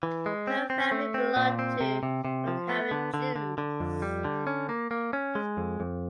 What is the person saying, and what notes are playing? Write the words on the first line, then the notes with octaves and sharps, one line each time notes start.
Her family belonged to Bukharan Jews.
E3
G#3
C4
C4
A3
C4
A#2
C4
C3
C3
C3
F3
B3
D3
D3
D3
D3
F2
G3
D3
C#4
A#3
A#3
C#4
G#3
F2
F2